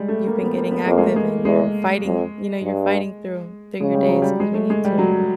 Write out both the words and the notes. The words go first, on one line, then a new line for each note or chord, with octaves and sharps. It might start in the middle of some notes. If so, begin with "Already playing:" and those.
you've been getting active and you're fighting, you know, you're fighting through through your days 'cause we need to, you know?
Already playing: G3 G#3
A3
A#3
B3
A#3
B3
F2 A#3
G#3
A3
G#3
E2 G#3
F2
G2
C#3 G#3
G3
F#3
G3
G#3
A3
G#3
G3
F#3